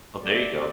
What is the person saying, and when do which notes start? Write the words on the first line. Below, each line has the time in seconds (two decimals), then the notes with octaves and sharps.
Oh, there you go.
0.20 D3 A3 C4 G4 D5
0.54 D3 A3 C4 G4 D5